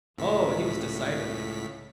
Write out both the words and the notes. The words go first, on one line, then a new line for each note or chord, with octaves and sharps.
"Oh, he was, decidedly."
C#2 A2 B6